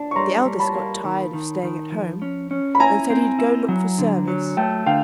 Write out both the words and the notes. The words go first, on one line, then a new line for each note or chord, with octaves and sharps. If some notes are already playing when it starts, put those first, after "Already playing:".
The eldest got tired of staying at home, and said he'd go look for service.
Already playing: D4 A5
C#6
G3 A#5 C6
G3
A5 B5
A#3
D#3
D#3
D#3
F3
C#4
C#4
B5
E4 G#5 A#5
C4
E4
F#3
D3
F#3
A3 G5 A5
D3 F5 G5